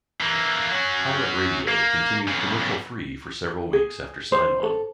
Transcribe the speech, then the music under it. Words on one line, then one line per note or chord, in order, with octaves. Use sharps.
Pirate Radio continued commercial-free for several weeks after sign on.
E3 A#3
F#3 C#4
A#3
B1 C#3
G#4
C5
A4